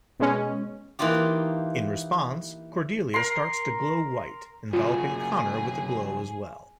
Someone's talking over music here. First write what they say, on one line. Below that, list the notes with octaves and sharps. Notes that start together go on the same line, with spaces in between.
In response, Cordelia starts to glow white, enveloping Connor with the glow as well.
B2 G#3 C#4
E3 A#3 D#4 F4 G4
A#4 C6
F#2 C#3 F4 G#4